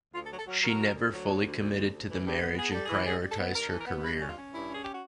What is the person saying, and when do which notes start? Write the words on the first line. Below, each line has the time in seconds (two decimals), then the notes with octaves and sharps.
She never fully committed to the marriage and prioritized her career.
0.14 D2 F4
0.26 A4
0.30 F#3
0.38 A4
0.46 F#3 A#4
0.62 F#3 A#4
0.79 D2
0.94 D2
1.11 F#3
1.28 D2
1.44 D2
1.59 D2
1.76 D2
1.92 D2
2.09 E3
2.25 G2
2.40 B3
2.57 B3 G#4
2.71 G3 A4
2.85 G#4
2.89 E3
3.06 G3 G#4
3.22 G3
3.30 A4
3.38 B3
3.54 G2 A#4
3.68 E3 A4
3.80 A#4
3.87 B3
4.03 G2 B4
4.20 C#4
4.28 F4
4.36 C#4
4.52 G2 E4
4.68 C#4 G#4
4.82 G4
4.92 F#4